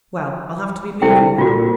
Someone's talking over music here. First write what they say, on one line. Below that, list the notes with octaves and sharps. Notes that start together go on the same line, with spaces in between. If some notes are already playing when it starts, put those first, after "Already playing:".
Well, I'll have to be moving now.
C2 E4 A4 G5
A#2 F4 F#4